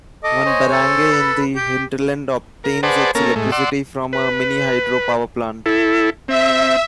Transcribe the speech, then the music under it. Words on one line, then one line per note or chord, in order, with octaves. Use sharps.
One barangay in the hinterland obtains its electricity from a mini-hydro power plant.
A4 D#5 D6
C5 C#5 G#5
A4
B4 B5
G4 G6
A#4
G#4 B4 C5 D5 F#5 A5
A#3 C#4 A4 A#4
A2 G#3 A3
D5 F#5 C6 E6
B4
E4 A4
C4 E5